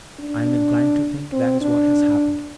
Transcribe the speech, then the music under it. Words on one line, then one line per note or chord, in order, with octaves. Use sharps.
I am inclined to think that is what has happened.
D4
C4
D4